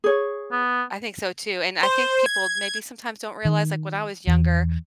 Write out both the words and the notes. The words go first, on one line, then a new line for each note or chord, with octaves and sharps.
I think so too, and I think people, maybe sometimes, don't realize like, when I was younger,
G#4 C#5
B3
C5
G#6
D#3
E2